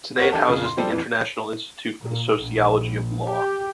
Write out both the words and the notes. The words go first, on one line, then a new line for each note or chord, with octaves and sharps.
Today it houses the International Institute for the Sociology of Law.
A#4 C#5 F#5
D4 G4 A4
F2 C#3
C6
F3 G3 C4 A4 D5
F2 E3
A#2
A#1
G4